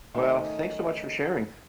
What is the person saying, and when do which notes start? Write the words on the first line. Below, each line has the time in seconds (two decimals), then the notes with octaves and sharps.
Well, thanks so much for sharing.
0.14 D#3 A3 C#4 D#4